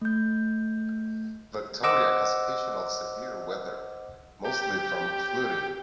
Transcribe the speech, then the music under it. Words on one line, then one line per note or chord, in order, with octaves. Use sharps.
Victoria has occasional severe weather, mostly from flooding.
A3 G6
C5 D#5 F#5 D6 E6
G4